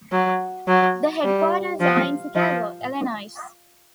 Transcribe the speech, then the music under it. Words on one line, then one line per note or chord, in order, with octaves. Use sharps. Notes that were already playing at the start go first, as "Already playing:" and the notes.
The headquarters are in Chicago, Illinois.
F#3
F#3
G3
F3
F3